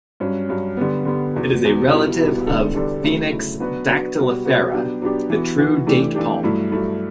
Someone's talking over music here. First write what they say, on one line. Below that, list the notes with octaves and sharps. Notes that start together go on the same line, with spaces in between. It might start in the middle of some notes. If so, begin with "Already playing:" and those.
It is a relative of "Phoenix dactylifera", the true date palm.
G2 F#3 C#4
G2 F#3 C#4
D3 G3 B3
D3 G3 B3
E2 B2 F#3
E2 B2 F#3
B2 G3 B3 E4
B2 G3 B3 E4
E2 D3 G3 D4 A4
E2 D3 G3 D4 A4
C#3 F#3 A3 E4
C#3 F#3 A3 E4
F#3 B3 D4 F#4 B4
F#3 B3 D4 F#4 B4
B2 G3 B3 F#4
B2 G3 B3 F#4
F#3 B3 D4 G4
F#3 B3 D4 G4
E3 B3 F#4
E3 B3 F#4
E3 A3 D4 G4
E3 A3 D4 G4
G2 F#3 A3 E4
G2 F#3 A3 E4